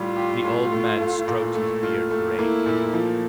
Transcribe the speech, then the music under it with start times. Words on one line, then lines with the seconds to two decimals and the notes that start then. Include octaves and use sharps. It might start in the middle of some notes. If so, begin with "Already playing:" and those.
The old man stroked his beard gravely.
Already playing: A2 G3 D4 F4 G4
0.16 G4
0.44 A2
0.72 A3
1.00 A3
1.28 A#2
1.55 A3
1.83 F4
2.11 A3
2.39 A#3 E4
2.66 A#2
2.94 F3